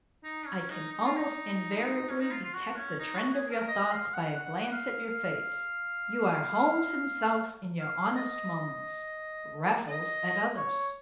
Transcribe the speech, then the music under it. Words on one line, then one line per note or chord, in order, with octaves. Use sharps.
I can almost invariably detect the trend of your thoughts by a glance at your face--you are Holmes himself in your honest moments, Raffles at others.
D#4
C#4
D#4
D#4
F4
D#4
C#4
D#4
F4
F4
F#4
C#4
D#4
F#4
G#4
A#4
D#5
F5
F#5
F#5
F5
F5
F5
D#5
D#5
C#5